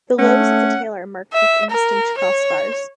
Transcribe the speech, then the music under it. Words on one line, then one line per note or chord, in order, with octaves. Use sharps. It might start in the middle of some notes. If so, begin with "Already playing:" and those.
The lobes of the tail are marked with indistinct crossbars.
A3 C#4 F#5
E5
A#4
C#5